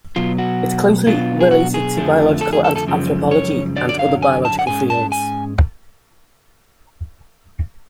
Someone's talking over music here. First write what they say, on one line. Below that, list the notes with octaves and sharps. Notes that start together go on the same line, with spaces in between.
It is closely related to biological anthropology and other biological fields.
B2 F#3 B3 F4
F#4
B2 F#3 B3 D4 F4
G#4
F#4
G#4
F2 D3 F3 A3
A4
G#4
A4
A4
F#2 C#3 F3 G#3
C#5
F#2 D3 F#3 D5
D5
F5
G#5
A5
F#5
G#2 G#3 C#4 G#5
A5
G#5